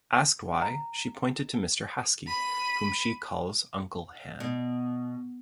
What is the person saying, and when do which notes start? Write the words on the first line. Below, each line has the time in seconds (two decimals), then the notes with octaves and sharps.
Asked why, she pointed to Mr. Haski, whom she calls Uncle Han.
0.62 A#5
2.26 B5 D#7
4.40 B2